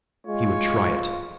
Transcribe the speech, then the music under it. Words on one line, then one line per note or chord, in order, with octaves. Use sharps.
He would try it.
G#3 F4 C#5